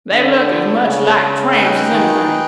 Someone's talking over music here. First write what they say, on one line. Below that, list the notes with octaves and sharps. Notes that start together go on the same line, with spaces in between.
They looked as much like tramps as anything.
D3 B3 E4 A4 D5
C#3
D#4 G#4 B4 D#5 G5
D#3